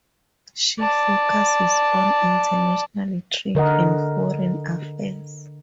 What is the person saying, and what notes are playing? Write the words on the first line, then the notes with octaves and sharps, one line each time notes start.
She focuses on international trade and foreign affairs.
D5 A5
D3 A#4 D#5 F#5